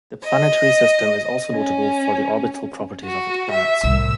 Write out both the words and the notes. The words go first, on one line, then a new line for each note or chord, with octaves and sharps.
The planetary system is also notable for the orbital properties of its planets.
D#5
C#4
F#4
E5
C2 A2 E6